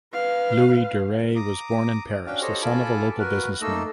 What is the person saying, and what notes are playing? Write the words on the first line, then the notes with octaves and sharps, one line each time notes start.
Louis Durey was born in Paris, the son of a local businessman.
B4 F5
A#5 D6 D#6
C#4 D4 F#4 F5 G5
G4 A4 C5 C#5 D#5
F4 A4 G#5 A5 B5 D6
F#4 A#4 B4
A3 A#3 D#4 A4 D#5 E6